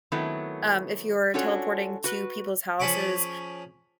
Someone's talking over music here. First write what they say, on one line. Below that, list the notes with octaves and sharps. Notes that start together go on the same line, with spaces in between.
um, if you're teleporting to people's houses
D#3 F#3 A3 B3 C4 E4
C#4 D4 F4 F#4 A4 C#5
F#4 B4
F3 C#4 G#4 B5 C#6 D6